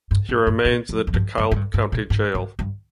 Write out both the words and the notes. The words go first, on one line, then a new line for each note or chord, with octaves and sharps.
He remains in the DeKalb County jail.
G2
G#2
G2
A#2
F2
F2
G2
G2
G#2
G2
G#2
A#2
G#2
G2
G2